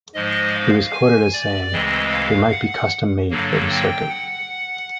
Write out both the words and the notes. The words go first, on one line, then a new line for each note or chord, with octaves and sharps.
He was quoted as saying, They might be custom made for the circuit.
G#2 F3 G#3 D#5
F5
G#5
D5
D2 C#3 E3 G#3 C4 D#5
F5
F#5
G2 D3 F#3 A#3
G5
F#5